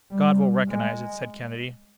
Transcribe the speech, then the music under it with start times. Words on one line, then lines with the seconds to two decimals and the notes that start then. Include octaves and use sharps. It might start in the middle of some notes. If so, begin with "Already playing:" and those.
"God will recognize it!" said Kennedy.
0.11 G3
0.68 G#3